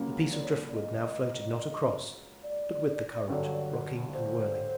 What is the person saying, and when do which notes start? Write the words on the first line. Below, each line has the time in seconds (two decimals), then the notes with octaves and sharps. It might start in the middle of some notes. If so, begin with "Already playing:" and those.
The piece of driftwood now floated not across, but with the current, rocking and whirling.
Already playing: C#2 C#3 F#3 A#3
0.32 D5
0.44 C#5
0.56 D5
0.74 D#5
2.43 D5
3.28 G2 D3 F#3
4.14 C5